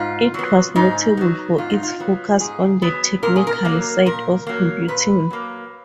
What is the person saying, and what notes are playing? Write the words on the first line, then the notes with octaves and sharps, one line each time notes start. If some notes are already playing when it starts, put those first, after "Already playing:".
It was notable for its focus on the technical side of computing.
Already playing: G#2 F4
F#3 B3
G#2 D#4
F#3 B3
G#2 F4
D#4
F4
F#3 B3
G#2 G#4
F#3 B3
A#2 A#4
G#4
A#4
F#3 A#3
A#2 A#4
F#3 A#3
A#2 B4
F#3 A#3